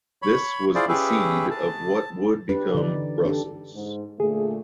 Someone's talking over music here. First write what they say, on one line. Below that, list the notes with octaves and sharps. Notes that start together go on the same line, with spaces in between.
This was the seed of what would become Brussels.
C#5 B5
E4 F4 G#4 C5 D5
C#4 G4 G#4 B4 E5
A5
D4 G4 B4
D3 E3 D#4 D5
D4 G4 A4
G#2
A#2 D3 A3 G#4